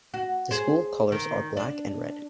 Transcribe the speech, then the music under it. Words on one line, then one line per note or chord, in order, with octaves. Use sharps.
The school colours are black and red.
F#4
G#4 C5
D#3
D4